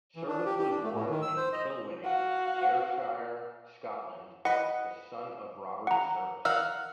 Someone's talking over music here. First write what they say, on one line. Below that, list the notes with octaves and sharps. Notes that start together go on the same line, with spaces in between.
Service was born in Kilwinning, Ayrshire, Scotland, the son of Robert Service.
E3
D4
G4
G4
D4
A3
A2
D#3
E6
C5
D#5
F#4 F5
B4 D#5 F#5
F#5 A#5
A#4 F5 F#5 E6